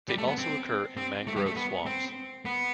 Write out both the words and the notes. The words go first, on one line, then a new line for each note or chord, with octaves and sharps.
They also occur in mangrove swamps.
G3
A3
B3
C4
C4
A3
G3
A3
B3
C4
B3